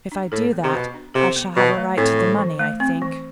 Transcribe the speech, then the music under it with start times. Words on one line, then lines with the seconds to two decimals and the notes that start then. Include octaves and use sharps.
If I do that, I shall have a right to the money, I think.
0.12 D4
0.32 A2 A4
0.53 B3
0.63 C3
0.73 B2 B3
0.94 D4
1.14 C3 A4
1.36 B3
1.56 B2 E3
1.77 A3
1.97 A2 C4
2.19 E3
2.39 E3
2.59 A3
2.80 C4
3.02 E3